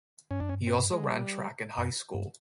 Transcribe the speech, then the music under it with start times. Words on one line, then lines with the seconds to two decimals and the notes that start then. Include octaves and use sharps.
He also ran track in high school.
0.31 G2 C#4
0.40 F#2 D4
0.49 C#4
0.53 G2
0.67 C4
0.92 G#3
1.04 G3
1.78 F#2
2.14 G2